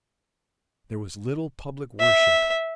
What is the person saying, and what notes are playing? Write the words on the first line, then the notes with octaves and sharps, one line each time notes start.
There was little public worship.
E5